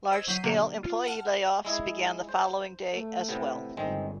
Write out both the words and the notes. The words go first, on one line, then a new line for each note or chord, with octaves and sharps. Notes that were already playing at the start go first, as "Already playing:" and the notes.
Large scale employee layoffs began the following day, as well.
C5 D#5 E6 G#6
G1 F#3 G6 B6 C7 D#7
B2 D3 F#3 A#3 D4 G4
F4
F#5 A5 F6
G#3 E4 G#4
C5
A3
A2 C3 B3
G1 D#3 G#3 C4